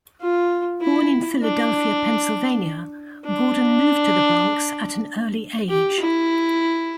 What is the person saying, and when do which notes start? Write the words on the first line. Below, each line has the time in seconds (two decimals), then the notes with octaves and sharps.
Born in Philadelphia, Pennsylvania, Gordon moved to the Bronx at an early age.
0.21 F4
0.81 E4
1.42 D4
3.25 D4
5.69 G4
5.99 E4